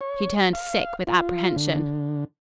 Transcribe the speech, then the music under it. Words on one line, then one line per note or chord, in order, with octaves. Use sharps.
She turned sick with apprehension.
C#5
F5
F4
D3